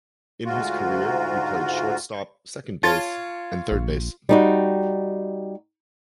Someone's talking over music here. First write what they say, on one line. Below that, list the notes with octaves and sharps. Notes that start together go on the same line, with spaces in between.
In his career, he played shortstop, second base, and third base.
D2 G#2 F4 F#4
F4 C#5 A5 A6
A#1
G3 D#4 F#4